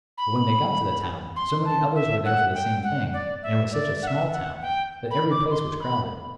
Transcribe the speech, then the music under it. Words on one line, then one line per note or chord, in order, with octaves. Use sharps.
But when they got to the town, so many others were there for the same thing, and it was such a small town, that every place was crowded.
B5
C6
A5
E5
F#5
G5
F#5
D5
E5
D5
F#5
E5
F#5
G5
B5
D6
C6
B5